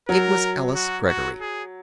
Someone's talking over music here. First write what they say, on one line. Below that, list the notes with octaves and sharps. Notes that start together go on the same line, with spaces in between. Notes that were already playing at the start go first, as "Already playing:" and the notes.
It was Alice Greggory.
F#3 A#4
F#4
F#4
G#4